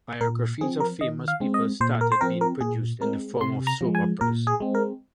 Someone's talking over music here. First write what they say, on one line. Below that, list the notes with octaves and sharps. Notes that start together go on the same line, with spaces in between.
Biographies of famous people started being produced in the form of soap operas.
A#2 A#4
F3 C4 G#4
A#4
D#3 D#5
F5
G#3 C4
D#5
A#2 C5
A#4
C5
F3 C4 A#4
A#4
A#2 G#4
G#3 C4 A#4
C3 C6
A#5
F3 G#3
G#5
A#2 A#4
G#4
G#3 C4
A#4